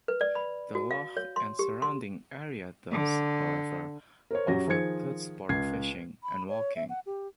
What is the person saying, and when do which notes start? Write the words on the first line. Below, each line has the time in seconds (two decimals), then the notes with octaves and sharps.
The loch and surrounding area does, however, offer good sport fishing and walking.
0.08 B4
0.21 D5
0.35 B5
0.75 F#4
0.91 F5
1.17 C#5
1.36 C6
1.59 G4
1.82 C6
2.91 D3
4.31 A#4 C5 C#5
4.48 F#2 F#3 G4 C#5 A#6
4.67 D#3 F3 G#4 C5 G#6 C#7
5.49 C#2 G#6 C7
6.23 B5
6.49 C#5
6.76 E5
6.89 F#5
7.06 G4